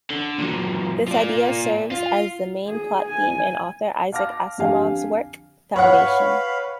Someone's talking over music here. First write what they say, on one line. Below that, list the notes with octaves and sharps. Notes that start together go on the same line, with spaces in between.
This idea serves as the main plot theme in author Isaac Asimov's work, "Foundation".
D3
A#2 F#3
F4 D5
F4
G#4
G#5
F5 A5 D6 F6 A#6
F2 D3 G4 F5 G#5
B4 C#5 F5 F#5 B5